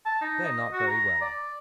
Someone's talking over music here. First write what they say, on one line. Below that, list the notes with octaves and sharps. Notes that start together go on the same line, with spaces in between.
They're not very well off.
A5
D#4
D#5
F#4
A#5
D5